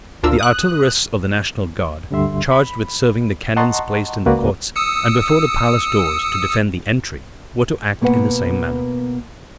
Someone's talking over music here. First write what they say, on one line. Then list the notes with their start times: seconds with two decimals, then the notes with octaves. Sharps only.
The artillerists of the National Guard, charged with serving the cannons placed in the courts and before the palace doors to defend the entry, were to act in the same manner.
0.23 G#1 D2 D4 F4 A#4 E6
0.39 D#6 F#6
2.10 D2 G2 D3 G3 E5 C6
2.51 B5
3.56 D#5 F#5 A5 A#5 C6 C#6
4.26 C#2 A#3 F#4 B4 D5
4.76 D#6 E6 C#7
8.01 B2 A#3 B3 B4 F#5